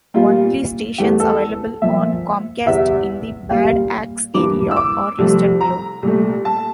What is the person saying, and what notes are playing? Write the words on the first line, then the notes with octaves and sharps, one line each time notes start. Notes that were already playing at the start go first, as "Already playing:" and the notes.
Only stations available on Comcast in the Bad Axe area are listed below.
A#2 G3 A#3 F4
E2 E3 A3 G4
A4
A#2 F3 A#3 E5
E2 C3 G3 E5
A#2 G3 A#3 F5
G2 E3 A#3 D6
E6
D6
C2 C3 F3 A3
A#5
C2 A#2 A3
A5